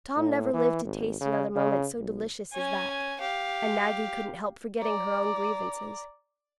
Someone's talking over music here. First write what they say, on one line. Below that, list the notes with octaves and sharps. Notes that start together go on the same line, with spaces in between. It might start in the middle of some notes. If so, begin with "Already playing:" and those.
Tom never lived to taste another moment so delicious as that; and Maggie couldn't help forgetting her own grievances.
A2
E3
G#1
C#3
C#3
B1
C#4 G#5
G4 F5
D5 A#5